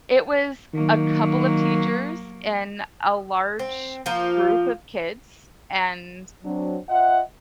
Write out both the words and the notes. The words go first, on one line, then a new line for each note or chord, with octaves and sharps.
It was a couple of teachers and a large group of kids, and,
D#3 F#3 A#3
C4
F3 A#3 F4
F#3 C4 D4
F4 D#5 E5 F#5